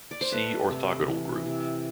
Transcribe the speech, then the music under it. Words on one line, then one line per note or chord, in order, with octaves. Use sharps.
See orthogonal group.
D5
C5
A3 B4
C3
E3
C3